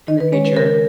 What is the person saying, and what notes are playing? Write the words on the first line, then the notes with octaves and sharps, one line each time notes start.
in the future,
D#3 D#5
B4
G#3 C#4 C#5
B4
C#3 A#4